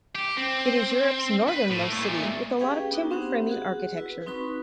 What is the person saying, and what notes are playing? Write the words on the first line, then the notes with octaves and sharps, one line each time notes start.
It is Europe's northernmost city with a lot of timber framing architecture.
G4
C4
B4 B5
A2
A#2 A3
C#4 G4 G#4 B4 F5 G5
B3 D4 D#4 F#4
B3 C4 G4 C5 F#5
F#4 G#4 F#5
E4 B4
C4 D#4 F#4 B4 B5 C#6